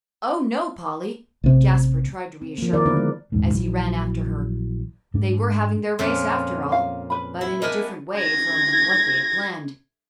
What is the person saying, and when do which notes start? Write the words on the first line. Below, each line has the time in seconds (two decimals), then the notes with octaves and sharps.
"Oh, no, Polly," Jasper tried to reassure her, as he ran after her. They were having their race, after all, but in a different way from what they had planned.
1.44 A1 C3
2.42 C4
2.58 F3 A#3
2.73 D#3 E4 A#4 D5
2.86 D3 B3 D4 B4
2.97 G#3
3.32 D#1 A1 G#2
3.54 A#1 E3 F#3
5.14 G#2 D4
5.99 F2 A#2 C#4
6.72 F5
7.10 B4 B5
7.41 E4
7.62 B3 D4 A#4 D#5 G#5
8.19 G#6 A#6